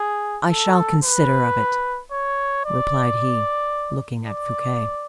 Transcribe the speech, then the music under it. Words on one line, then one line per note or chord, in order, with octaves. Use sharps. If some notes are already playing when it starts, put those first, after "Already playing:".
"I shall consider of it," replied he, looking at Fouquet.
Already playing: G#4
A4
B4
C#5
D5
D5